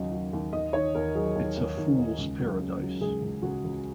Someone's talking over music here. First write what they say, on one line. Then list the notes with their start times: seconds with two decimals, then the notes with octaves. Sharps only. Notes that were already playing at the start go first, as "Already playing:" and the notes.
It's a fool's paradise.
Already playing: D#2 C#3 F#3 D#5
0.12 F#3
0.33 D#2
0.52 D#2 D#5
0.73 D#3 C#5
0.95 D#2 A#4
1.15 F#3 G#4
1.35 D#2
1.57 D#2
1.77 D#2
1.98 D#2
2.18 C#2
2.39 F#3
2.60 C#3
2.81 F#3
3.01 C#2 G#4
3.22 C#2
3.42 C#2 F#4
3.64 C#2